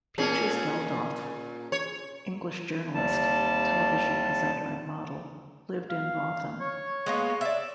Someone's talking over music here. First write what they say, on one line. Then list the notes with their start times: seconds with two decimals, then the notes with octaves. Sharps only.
Peaches Geldof, English journalist, television presenter and model, lived in Wrotham.
0.18 A#2 C#4 G#4
1.72 C#5
2.95 D#2 C3 G3 A5
5.90 F5
6.61 C#5
7.06 G#3 A#3 B3
7.41 D5 E5